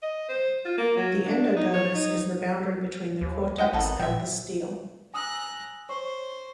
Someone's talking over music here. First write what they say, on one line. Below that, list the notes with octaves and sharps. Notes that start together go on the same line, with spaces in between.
The endodermis is the boundary between the cortex and the stele.
D#5
C5
F4
A#3
F#3
D4
D#4
C#5
D#4
D#2
G#3 D#5 F#5 G5
G#1 B3 D#4 A4
A#2 E5 G5
G#5 A#5 D#6 E6 F#6
C5 C#5 C#6